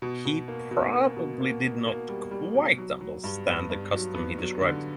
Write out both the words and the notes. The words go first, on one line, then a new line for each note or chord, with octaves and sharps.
He probably did not quite understand the custom he described.
B2
B2
A#3
B2
A#3
B2
A#3
A#3
A#3
G3
G3
B2
F#3
F#3
G2
B3
G2
F#3
B3
F#3
D3